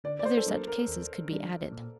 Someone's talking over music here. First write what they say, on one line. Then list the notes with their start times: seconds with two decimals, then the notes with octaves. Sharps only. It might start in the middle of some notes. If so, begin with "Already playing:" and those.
Other such cases could be added.
0.04 D3 D5
0.19 D5
0.25 C5
0.37 A4
0.46 F#3 A#3 D4 A#4
0.67 A#4
0.88 D#2
1.30 D#3 G3 D4
1.72 A#2